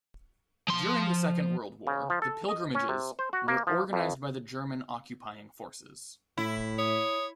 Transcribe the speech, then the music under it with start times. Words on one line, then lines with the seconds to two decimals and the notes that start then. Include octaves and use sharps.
During the Second World War the pilgrimages were organised by the German occupying forces.
0.68 F3 C6
1.87 C#3
2.10 F3
2.22 A4
2.48 D#5
2.75 C#4
2.89 C3
3.19 C5
3.33 F#4
3.48 A#3
3.67 F3
3.93 F2
6.38 A2 E4
6.78 C#5 D#6